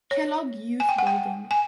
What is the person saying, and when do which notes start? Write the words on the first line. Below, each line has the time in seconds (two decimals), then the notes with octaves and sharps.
Kellogg Youth Building.
0.11 C#5
0.80 G#5
0.89 G5
0.99 F#5
1.07 G5
1.51 G#5